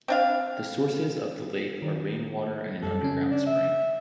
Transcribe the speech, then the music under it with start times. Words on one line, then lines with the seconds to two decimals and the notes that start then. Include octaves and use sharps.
The sources of the lake are rain water and an underground spring.
0.08 C4 D4 F5
1.82 D#3
2.82 F#2 G3 A4
3.02 C#3 C#4
3.31 D4
3.47 E5